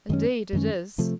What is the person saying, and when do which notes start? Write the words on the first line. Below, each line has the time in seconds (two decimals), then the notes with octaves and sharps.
"Indeed it is."
0.09 F#2 D#3 G#3 C#4
0.53 F#2 D#3 G#3 C#4
0.98 C3 F3 A3